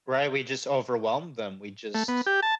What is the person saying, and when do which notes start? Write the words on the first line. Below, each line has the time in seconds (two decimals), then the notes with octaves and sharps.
Right, we just overwhelmed them, we just
1.95 A3
2.08 B3
2.27 G4
2.42 A5